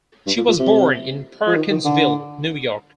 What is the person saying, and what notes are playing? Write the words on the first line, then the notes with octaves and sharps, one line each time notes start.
She was born in Perkinsville, New York.
G2
A#2
A#2
C3
F3
D#3
D#3
D3